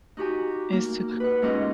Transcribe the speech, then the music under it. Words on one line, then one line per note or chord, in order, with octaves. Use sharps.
It's to
D#4 F#4 G4 G#5
A#3
B4 F#5
G#2 A#3 C#4 F4 D#5 D6